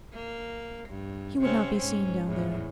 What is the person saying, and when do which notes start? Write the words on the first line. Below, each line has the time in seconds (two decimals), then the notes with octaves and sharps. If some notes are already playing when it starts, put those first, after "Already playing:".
He would not be seen down there.
0.14 A#3
0.89 G2
1.40 C3 C4 C#4
1.76 G#2 C#4
2.26 E2 A2